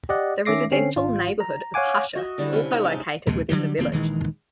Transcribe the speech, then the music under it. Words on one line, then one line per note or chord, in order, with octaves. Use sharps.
The residential neighborhood of Husher is also located within the village.
G4 D5 D#5 F#5
D#3 C#4 E5 D6 A#6 C7
D3 C4 C#4 C7
G#1 F4
A#5
C#5 F5 F#5 G#5 D6
F#4 D#5 E5
D3 G3 E4
C3 C#4
D#4
G#3 D#4 A5
A#1 D#2 C3 G#3
D3 D#3 F#3 G3
F1 D#3 A#3 C4
A#1 D#3 E3 G#3